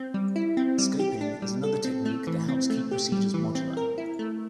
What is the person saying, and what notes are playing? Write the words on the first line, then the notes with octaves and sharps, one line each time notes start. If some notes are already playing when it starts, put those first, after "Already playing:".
Scoping is another technique that helps keep procedures modular.
Already playing: C4
G3
E4
C4
G3
G4
D4
G3
A4
C4
A3
E3
C4
A3
G4
G3
E3
C4
A#4
E4
A3